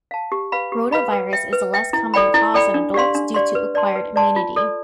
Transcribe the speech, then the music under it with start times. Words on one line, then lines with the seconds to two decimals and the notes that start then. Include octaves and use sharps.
Rotavirus is a less common cause in adults due to acquired immunity.
0.11 F5 A5
0.32 G4
0.52 B4 F5 B5
0.72 G4
0.92 B4 F5 B5
1.12 B4
1.33 E5 G5
1.53 B4
1.74 E5 G5
1.93 E4
2.14 A4 D5 G5 B5
2.34 E4
2.54 A4 D5 G5 B5
2.74 D4
2.94 G4 D5 F5 C6
3.15 D4
3.34 G4 D5 F5 C6
3.55 B4
3.75 D5 A5 C6
3.95 B4
4.16 D5 A5 C6
4.36 F4
4.56 A4 D5